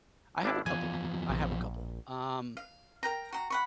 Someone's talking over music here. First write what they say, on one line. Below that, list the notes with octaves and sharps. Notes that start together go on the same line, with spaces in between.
I have a couple, I have a couple, um
G#1 D4 E4
E2 F3 G#5
A#1
F5
A#4 G5 A#5
F#4 A#5
F#5 B5 C#6